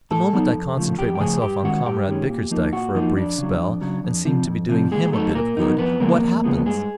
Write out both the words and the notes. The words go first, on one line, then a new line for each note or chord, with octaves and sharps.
The moment I concentrate myself on Comrade Bickersdyke for a brief spell, and seem to be doing him a bit of good, what happens?
A2 A4 A5
F#3 B3 D#4
F2
C#3 F3 A3
F2 G4 G5
G5
C#3 F3 A3 G#4 G#5
G2 G4 G5
D#3 G#3 C#4 F#4 F#5
G2 G4 G5
D#3 G#3 C#4
A#2
F3 A#3 D#4
A#2 F#4 F#5
F3 A#3 D#4
F2 D4 D5
C#3 F#3
F2
C#3 F#3
F2
C3 F3
F2
C3 F3
A#2 G#3 G#4
F#3 A3 B3 D#4 A4
A#2 A#3 A#4
F#3 B3 D#4
F2 B3 B4
C#3 F3 G#3 A#3 B3 A#4
F2
C#3 F3 G#3 B3
G2 G#3 G#4